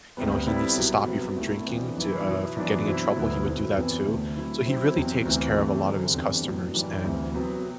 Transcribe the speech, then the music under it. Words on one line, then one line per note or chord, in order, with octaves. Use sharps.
you know, he needs to stop you from drinking to, uh, from getting in trouble, he would do that too. So he really takes care of a lot of his customers and,
D2 C3 G3 B3
C3 G3 B3 E4
C2 B2 F#3
C3 F#3 B3
C2 B2 A3 E4
C3 E3 B3 D4
F#2 E3 B3 E4
B2 F#3 B3 E4
F#2 E3 B3 D4
B2 F#3 C4 E4
D2 D3 F#3 B3 E4
E2 B2 F#3 C4 E4
E2 C3 E3 B3 E4
D2 D3 A3
C3 F#3 A3 E4
C3 F#3 C4 E4
E2 C3 F#3 C4
D2 C3 E3
C3 E3 A3
F#2 D3 G3 C4
E2 C3 E3 G3 D4
A2 F#3 B3 D4
F#2 E3 G3 D4
D2 C3 E3
C3 F#3 B3